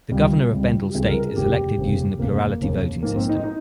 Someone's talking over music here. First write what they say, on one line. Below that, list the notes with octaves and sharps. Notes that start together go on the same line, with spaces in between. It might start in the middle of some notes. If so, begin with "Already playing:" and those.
The Governor of Bendel State is elected using the plurality voting system.
C#2 C3 G3
C#2 C3 G3
G4
C#2 C3 G3 G#4
A#4
G#4
F1 D#2 C#3 G4
F1 D#2 C#3
F1 D#2 C#3 A#3
F1 D#2 C#3
A#1 G#2 F3 A#3
C4
D#4
D#4